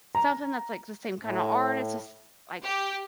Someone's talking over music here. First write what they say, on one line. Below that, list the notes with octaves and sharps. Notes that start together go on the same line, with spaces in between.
something that's, like, the same kind of artist, s s like,
A#5
A2
G4